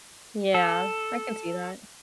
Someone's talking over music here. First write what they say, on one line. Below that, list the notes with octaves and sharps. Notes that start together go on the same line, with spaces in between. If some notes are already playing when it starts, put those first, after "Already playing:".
Yeah. I can see that.
A4